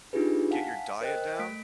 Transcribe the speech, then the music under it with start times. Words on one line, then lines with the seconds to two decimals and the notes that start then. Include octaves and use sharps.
get your diet down
0.13 D4 D#4 F4 G4 G#4 B4
0.51 F5 F#5 G#5 A5 B6
1.01 A#4 C5 D#5 G5 F#6
1.39 A3 B6 D7